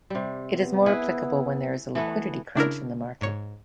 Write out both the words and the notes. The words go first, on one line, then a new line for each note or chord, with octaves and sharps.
It is more applicable when there is a liquidity crunch in the market.
C3 G3
B3
E4 G#4 B4
E3 A3 B3
C#3 D4 E4 A#4
G#2 C#5